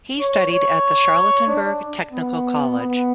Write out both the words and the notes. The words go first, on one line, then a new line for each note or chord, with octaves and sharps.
He studied at the Charlottenburg technical college.
C#5
C#5
D4
B3
B3